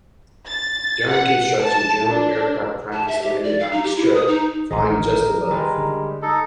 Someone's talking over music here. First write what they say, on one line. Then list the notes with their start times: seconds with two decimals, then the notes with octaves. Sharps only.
During construction German aircraft practice landing on the strip, flying just above.
0.47 A6
1.09 F#5
1.61 A5
2.09 D4
2.93 A5
3.08 E5
3.22 G4
3.43 D5
3.60 F5
3.72 D#4
3.84 G4
3.96 E4
4.14 D#6
4.27 D#4
4.71 A1 D2 D#3 A#4 D#5
5.51 D#3 G3 G#3
5.78 D3
6.22 D#4 A4